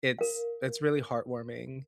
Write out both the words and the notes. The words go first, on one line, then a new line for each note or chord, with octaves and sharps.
it's it's really heartwarming.
A#4 F5